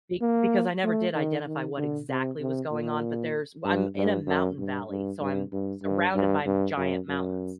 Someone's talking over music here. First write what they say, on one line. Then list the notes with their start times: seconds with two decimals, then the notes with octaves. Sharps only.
be because I never did identify what exactly was going on- but there's w I'm in a mountain valley, so I'm surrounded by giant mountains.
0.21 A#3
0.84 A3
1.15 D#3
1.46 D#3
1.77 D3
2.09 C3
2.40 C3
2.71 A#2
3.65 G2
3.96 G2
4.27 F#2
4.58 G2
4.89 G2
5.20 G2
5.52 G2
5.83 G2
6.15 G2
6.46 G2
6.77 F#2
7.08 F#2